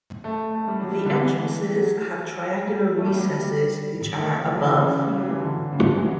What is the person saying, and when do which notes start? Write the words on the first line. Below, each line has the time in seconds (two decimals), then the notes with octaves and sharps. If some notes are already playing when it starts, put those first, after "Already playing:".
The entrances have triangular recesses which are above.
0.24 A3
0.55 A3
0.68 G3
0.80 F#3
0.91 G3
1.06 D3
1.15 E3
1.76 F#3
2.97 A3
3.06 G3
3.14 F#3
3.22 G3
4.18 A3
4.49 F#3
4.64 E3
4.79 C#3
5.07 G3
5.18 F#3
5.29 E3
5.39 D3
5.73 C#3
5.81 D3
5.91 E3
6.00 F#3